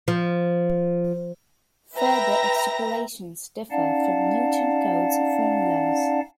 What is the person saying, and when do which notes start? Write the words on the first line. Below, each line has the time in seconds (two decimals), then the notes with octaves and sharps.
Further extrapolations differ from Newton Cotes formulas.
0.08 F3
1.96 B4 E5 G5 A#5 A#6
3.71 C#4 D#4 D5 F5 F#5 A5